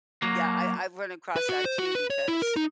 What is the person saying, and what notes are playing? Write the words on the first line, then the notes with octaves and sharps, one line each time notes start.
Yeah, I I've run across that too because,
F#3 A#3
B4
F#4
C5
F#4
B4
C#5
E4
A#4
D#4